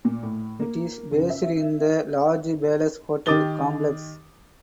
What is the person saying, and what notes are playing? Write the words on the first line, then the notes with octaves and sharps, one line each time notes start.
It is based in the large Palace Hotel complex.
A#2
A2
A#3
F#1
E5
D#3 G4 D6 D#6 A6 G7